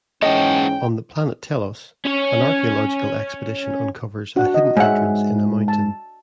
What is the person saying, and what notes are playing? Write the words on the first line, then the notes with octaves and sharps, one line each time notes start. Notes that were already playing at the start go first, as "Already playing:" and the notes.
On the planet Telos, an archaeological expedition uncovers a hidden entrance in a mountain.
G#2 E3 C#4 C#5 D#5 F#5 G5 A5
C#4 C#5
D4 F#4 F#5
D#5
G#2 C#5 E5 F#5
A5